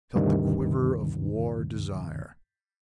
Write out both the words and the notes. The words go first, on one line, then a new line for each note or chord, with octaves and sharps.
He felt the quiver of war desire.
D2 G2 C3 D#3